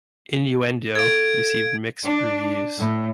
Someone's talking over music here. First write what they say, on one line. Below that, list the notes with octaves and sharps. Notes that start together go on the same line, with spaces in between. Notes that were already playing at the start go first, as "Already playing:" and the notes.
"Innuendo" received mixed reviews.
A4 F5 G#6 D7
D4
A2